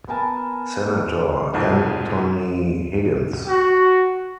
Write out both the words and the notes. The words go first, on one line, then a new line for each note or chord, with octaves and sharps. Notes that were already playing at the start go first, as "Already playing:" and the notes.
Senator Anthony Higgins.
B3 A#4 G#5 A5
F1 B1 F2 G#2 F#4
F#4